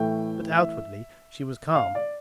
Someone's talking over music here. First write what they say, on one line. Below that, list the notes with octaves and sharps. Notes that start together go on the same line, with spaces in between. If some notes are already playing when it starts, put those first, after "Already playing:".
But outwardly she was calm.
Already playing: A2 E3 A3 G5
E5
F5
D5